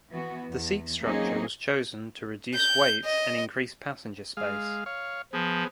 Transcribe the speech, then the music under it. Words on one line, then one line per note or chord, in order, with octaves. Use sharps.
The seat structure was chosen to reduce weight and increase passenger space.
E3 B3 F#4
E2
F#3 A#3 C4 C#4 D#4 G#4
G6
D#5
G#3 F5
C#5 F5
F3 B3 G#4